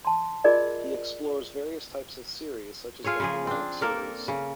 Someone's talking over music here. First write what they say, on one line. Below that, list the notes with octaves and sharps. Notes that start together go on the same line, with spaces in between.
He explores various types of series such as the harmonic series.
A5 C6
F4 F#4 G#4 A#4 D5 D#5
F4 G#4 A4 C#5
C#3 F3 G#4
C4 D4
A#3 A4 A#4 D5
C#3